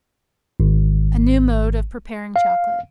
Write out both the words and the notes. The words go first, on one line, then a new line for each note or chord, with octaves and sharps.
A New Mode of Preparing Chocolate.
G#1
F5